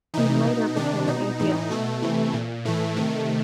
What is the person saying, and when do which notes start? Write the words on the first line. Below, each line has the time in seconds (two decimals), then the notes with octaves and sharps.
He later became an atheist.
0.14 C3 E3 D#4
0.45 B2
0.76 C3 D#3 D4
1.08 B2 D#4
1.39 A2 E3 D#4
1.70 B2 A3
2.02 C3 E3
2.33 A#2
2.65 A2 E3 A3
2.96 C3 D#3 A3